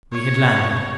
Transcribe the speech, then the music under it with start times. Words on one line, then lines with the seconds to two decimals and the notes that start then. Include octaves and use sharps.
We had landed.
0.12 C#5